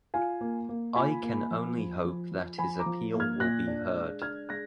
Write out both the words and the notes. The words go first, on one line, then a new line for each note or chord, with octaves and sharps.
I can only hope that his appeal will be heard.
F4 F5 G#5
A#3
A#3
F4 G#5 B5
A#3
F3
F3
F3
F3
F3 G#5 B5
A#5 D6
F3
A#3
F6 G#6
A#2 F#6 A#6
D4
G#3
D4 F6 G#6
G#3 F#6 A#6